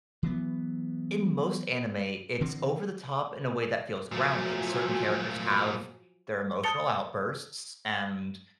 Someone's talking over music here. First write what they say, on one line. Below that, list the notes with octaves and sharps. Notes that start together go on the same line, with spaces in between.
in most anime, it's over the top in a way that feels grounded. Certain characters have their emotional outbursts, and
E3 F#3 B3
D3 E3 A#3 C4
A#2 F3 F#3 A3 G#5
A5 D#6 A6 C#7 F7 G7